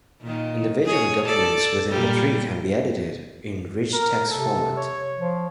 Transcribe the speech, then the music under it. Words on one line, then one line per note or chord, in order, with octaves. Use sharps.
Individual documents within the tree can be edited in Rich Text Format.
A#2 D#3
G#4 C#5
A4 D5
A#2 G3
A#4
C3 A4
C#5
F3